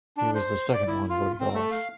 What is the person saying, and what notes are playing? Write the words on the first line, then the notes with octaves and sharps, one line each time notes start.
He was the second one voted off.
D4
C5
D5
E4
F4
C4
A3
F5